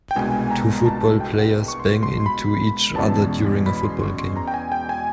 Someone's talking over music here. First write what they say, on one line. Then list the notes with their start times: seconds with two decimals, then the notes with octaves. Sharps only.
Two football players bang into each other during a football game.
0.11 G5
0.15 C2 B2 G#3 B3 D4 G#5
0.50 A#5
0.86 A5
1.20 G5
1.38 F#5
1.68 C#6
1.80 C6
2.03 C6
2.26 B5
2.96 E2 B2 G#3 C#4 A5
3.66 B5
3.77 B5
3.84 C6
4.02 C#6
4.19 C6
4.36 A#5
4.48 G5
4.54 G#5
4.72 G5
4.89 G#5